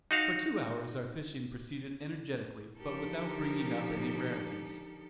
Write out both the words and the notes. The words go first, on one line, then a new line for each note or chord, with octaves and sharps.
For two hours our fishing proceeded energetically but without bringing up any rarities.
D#4 F#4 F5
D3 F3 D#4 G4 A4 A#4